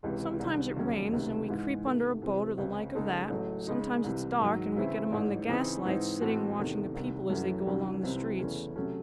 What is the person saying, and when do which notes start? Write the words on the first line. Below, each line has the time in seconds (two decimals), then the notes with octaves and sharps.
'Sometimes it rains, and we creep under a boat or the like of that: sometimes it's dark, and we get among the gaslights, sitting watching the people as they go along the streets.
0.03 C#2 C3 E3 G#3
0.40 C2 C3 D#3
0.76 E1 D#2 C#3 F#3 C#4
1.13 C#2 C3 D#3
1.48 G#2 E3 G#3
1.85 C3 D#3 A3
2.22 C3 E3 C4
2.58 C#2 C#3 G#3 C4
2.95 C#2 C#3 G#3 D#4 A4
3.30 A1 A2 F#3 A3
3.67 C#3 G#3 D#4
4.04 C2 C3 E3
4.40 G#2 D#3 F#3
4.76 C#3 E3 C4 E4
5.12 A1 G#2 E3
5.49 C#3 E3 C4 D#4 G#4
5.85 G#2 E3 C4 D#4
6.21 A2 E3 C4 F#4 A4
6.58 E2 C3 D#3 A3
6.95 C2 C3 D#3
7.30 F#2 E3 A3 C#4 F#4
7.67 C2 C3 D#3 F#3 C#4
8.03 C2 C3 E3 C4 D#4
8.39 E2 C#3 E3 A3 C#4
8.76 C3 F#3 A3 C#4